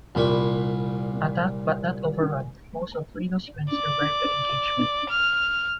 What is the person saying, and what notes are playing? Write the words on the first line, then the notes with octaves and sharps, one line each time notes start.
Attacked but not overrun, most of Reno's men survived the engagement.
C2 A#2 B5 C#6
D5
F6